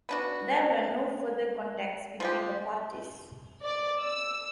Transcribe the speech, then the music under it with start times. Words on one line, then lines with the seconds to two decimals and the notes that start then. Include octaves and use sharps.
There were no further contacts between the parties.
0.09 B3 D4 F#4
2.20 F3 G#3 G4
3.63 D5
4.01 E6